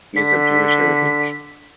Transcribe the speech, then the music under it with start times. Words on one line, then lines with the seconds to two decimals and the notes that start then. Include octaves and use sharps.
He is of Jewish heritage.
0.16 D3 B6